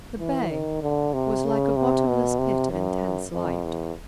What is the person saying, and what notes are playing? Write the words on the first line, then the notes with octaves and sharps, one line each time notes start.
The bay was like a bottomless pit of intense light.
E3
D#3
D3
C3
C#3
C3
B2
C3
F#2
F2
E2